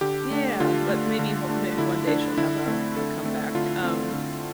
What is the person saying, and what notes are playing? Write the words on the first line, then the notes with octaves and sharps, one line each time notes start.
yeah, but maybe w maybe one day she'll have a a comeback, um
D3 G4
A3 D4
D3 F4
A3 D4
D3
A3 D4
D3 E4
A3 D4
D3 E4
A3 C4
D3 A4
A3 C4
D3 F4
A3 C4
D3